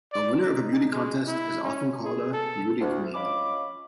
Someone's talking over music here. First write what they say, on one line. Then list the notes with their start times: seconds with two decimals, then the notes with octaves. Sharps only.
A winner of a beauty contest is often called a beauty queen.
0.13 D5
0.44 D#4
0.93 G#3
1.28 E4
1.64 C#4
2.05 G#4
2.33 A4
2.80 D2
3.14 G#3 C#4 F4 B5 D6